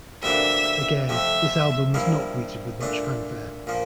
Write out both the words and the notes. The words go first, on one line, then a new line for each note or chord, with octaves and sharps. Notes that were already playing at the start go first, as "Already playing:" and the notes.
Again, this album was not greeted with much fanfare.
D2 C3 E3 A#3 D4 E5
F2 C3 F3 A3 E5
G2 F3 A#3 E4
A#2 A3 D4
A#2 F3 A#3